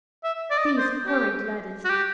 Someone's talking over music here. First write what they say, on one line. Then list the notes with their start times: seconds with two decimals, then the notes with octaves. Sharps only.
These horrid ladders.
0.24 E5
0.51 D5
0.58 D#5
0.66 D5
0.78 C5
1.06 G4
1.85 F#4
1.90 G4